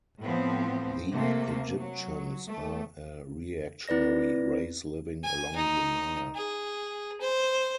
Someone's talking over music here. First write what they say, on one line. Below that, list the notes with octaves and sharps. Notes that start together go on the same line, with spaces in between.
The Egyptians are a reactionary race living along the Nile.
A2 F3 B3 C4
C3 A3 A#3
F#3
A3
C4 E4 B4 D5 A#6
G#5
D#4
G#4
C5